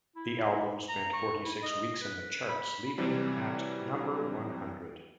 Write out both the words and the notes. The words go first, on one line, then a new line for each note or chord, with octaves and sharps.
The album spent forty-six weeks in the charts, leaving at number one hundred.
E4
A#5
C#6
E4
D#5
B4
B5
C3 E3 F#3 G3 C4